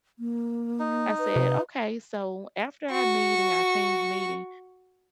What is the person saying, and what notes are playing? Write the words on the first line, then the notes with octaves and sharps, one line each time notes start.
I said, "Okay." So after our meeting, our Teams meeting,
A#3
D#4
B4
C3
F#4 C#6